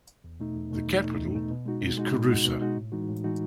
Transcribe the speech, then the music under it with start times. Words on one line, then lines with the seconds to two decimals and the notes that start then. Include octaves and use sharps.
The capital is Kouroussa.
0.24 E2
0.40 B2 A3 D#4
0.56 E2
0.71 B2 A3 D#4
0.87 E2
1.04 B2 A3 D#4
1.19 E2
1.34 B2 A3 D#4
1.51 B2
1.66 G#3 D#4 F#4
1.81 B2
1.97 G#3 D#4 F#4
2.13 B2
2.29 G#3 D#4 F#4
2.45 B2
2.61 G#3 D#4 F#4
2.77 A2
2.92 E3 G#3 D#4 F#4
3.09 A2
3.24 E3 G#3 D#4 F#4